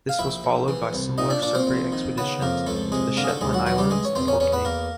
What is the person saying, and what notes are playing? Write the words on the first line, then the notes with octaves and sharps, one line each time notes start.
This was followed by similar survey expeditions to the Shetland Islands and Orkney.
F5
A#1 E4 E5
A#1
E3
C2
A#2 D#4 D#5
D4 D5
A#2 D4 D5
C4 C5
A#1
D#3
C#3 B3 B4
F2 A#3 A#4
C#2 A3 A4
C3 G#3 G#4
D3 A#3 A#4
G#4
A3 A4
D#2 G#3 G#4
F#3 F#4
E3 F#3 F#4
G3 G4
A1 G#3 G#4
C#5
E2 C4 C5
C#4 C#5
E2 C#4 C#5
B3 B4
E2 A#3 A#4